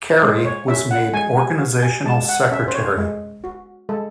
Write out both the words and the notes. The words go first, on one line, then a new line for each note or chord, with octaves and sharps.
Kerry was made "Organizational Secretary".
G#3 C5
C#5
C#4 E5
F#5
G#3 G#5
G#5
F#4
G#5
G#3 A5
F#5
C#4 E5
C5
C#5
G#3
F#4
G#3 A4